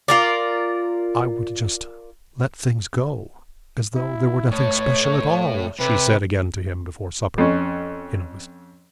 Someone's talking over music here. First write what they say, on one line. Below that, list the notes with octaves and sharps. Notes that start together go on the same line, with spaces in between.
'I would just let things go, as though there were nothing special at all,' she said again to him, before supper, in a whisper.
F4 A#4 D5
E4
A2 C#5
C3 B4
F2 C#4